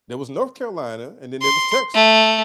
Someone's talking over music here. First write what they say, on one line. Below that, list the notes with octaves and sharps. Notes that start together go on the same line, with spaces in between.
There was North Carolina, and then there was Texas.
C6
A3